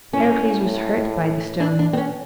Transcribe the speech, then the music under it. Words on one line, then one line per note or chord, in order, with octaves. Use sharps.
Heracles was hurt by the stones.
A2 C#4
D4
D4
C4
C#4